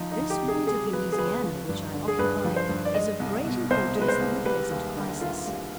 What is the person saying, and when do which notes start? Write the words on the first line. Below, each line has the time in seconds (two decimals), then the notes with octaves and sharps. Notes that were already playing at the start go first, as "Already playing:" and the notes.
This point of Louisiana, which I occupy, is of great importance in the present crisis.
Already playing: F3 D#4
0.11 D#4
0.18 D2
0.30 G4
0.42 C3
0.48 G#4
0.67 G#3 G#4
0.87 G#4
0.93 F3 B4
1.12 G#4
1.18 D2 B4
1.44 F3
1.69 G2
1.94 D3
2.08 G#4
2.18 G2 B4
2.44 F3
2.56 C5
2.69 G2
2.85 D5
2.94 G#3 D#5
3.20 C2
3.45 B2
3.70 C2 C5
3.95 G#3
4.01 B4
4.08 C5
4.21 C2
4.46 G3 B4
4.71 D#2
4.96 D3
5.21 D#2 F4
5.47 G3